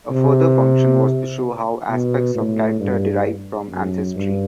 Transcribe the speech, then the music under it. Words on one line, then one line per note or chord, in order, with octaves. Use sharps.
A further function was to show how aspects of character derive from ancestry.
C3
B2
A2
G2
F#2
G2